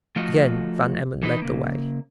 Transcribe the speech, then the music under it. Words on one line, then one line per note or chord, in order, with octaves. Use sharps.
Again Van Emmon led the way.
F3 A3 F4 F#4 A4 D#5
E3 D#4 E4 B4 D#5
C#3 A#3